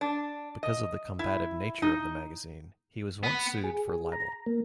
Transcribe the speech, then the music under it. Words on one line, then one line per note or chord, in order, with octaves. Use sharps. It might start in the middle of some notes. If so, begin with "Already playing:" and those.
Because of the combative nature of the magazine, he was once sued for libel.
D4
D#5
E4
D#4
B3
G#4
G#4
A#5
A#3